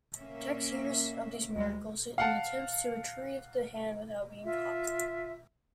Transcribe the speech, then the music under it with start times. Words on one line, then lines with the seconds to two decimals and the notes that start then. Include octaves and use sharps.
Tex hears of these miracles, and attempts to retrieve the hand without being caught.
0.17 A#3 C#4 E5
1.56 D2 G3 G#3
2.18 F5 F#5 A5
4.43 F4 E5